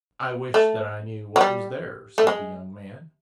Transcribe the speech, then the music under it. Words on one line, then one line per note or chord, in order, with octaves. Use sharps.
"I wish that I knew what was there," said the young man.
A3
F#3
G3
A3
G#3